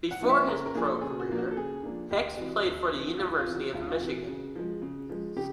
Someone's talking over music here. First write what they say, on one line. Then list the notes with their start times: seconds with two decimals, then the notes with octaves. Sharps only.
Before his pro career, Hicks played for the University of Michigan.
0.11 F#5
0.21 F3 A#3 D4
0.29 E5
0.47 C#3 A#4
0.66 A#4
0.74 F3 A#3 D4 G#4
0.84 A4
1.01 C#3 G#4
1.19 F#4
1.29 F3 A#3 D4
1.38 F#4
1.51 A4
1.57 C#3 G#4
1.83 F3 A#3 D4
2.11 D2 G4
2.37 C3 E3 F#4
2.65 D2
2.92 C3 E3
3.07 F#4
3.19 D2 F4
3.38 F4
3.47 C3 E3
3.55 F#4
3.73 D2 F4
3.89 F4
4.00 C3 E3 F#4
4.28 C#3
4.55 F3 G#3
4.82 C#3
5.09 F3 G#3
5.36 C#3 G4